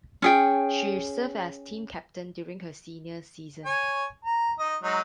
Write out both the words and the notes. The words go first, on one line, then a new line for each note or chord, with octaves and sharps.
She served as team captain during her senior season.
C#4 G#4 G5
C#5 G#5
A#5
D#4 D#5
F#3 G#3 D#4